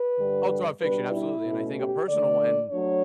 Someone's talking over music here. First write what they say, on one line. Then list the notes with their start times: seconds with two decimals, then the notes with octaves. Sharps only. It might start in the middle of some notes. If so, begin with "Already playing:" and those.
All throughout fiction, absolutely. And I think a personal one
Already playing: B4
0.18 G2 D3 G3 D4
0.81 B2 G3 D4 B4
1.13 E4
1.44 B2 A3 C#4
1.76 G4
2.07 D3 A3 D4 D5
2.70 F#3 A3 D4 C#5